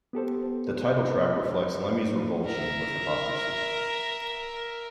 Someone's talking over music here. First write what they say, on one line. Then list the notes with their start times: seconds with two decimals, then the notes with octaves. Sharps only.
The title track reflects Lemmy's revulsion with hypocrisy.
0.13 B3 G4 A4 C5
2.45 A#4 E5